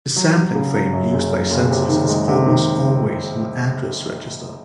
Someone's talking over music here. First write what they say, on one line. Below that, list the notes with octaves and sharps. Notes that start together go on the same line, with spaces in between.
The sampling frame used by census is almost always an address register.
F#3
F#3
C#3
F#3
F#2
F#1
F#1
F#1
C3
D#3
G#3
C3
D#3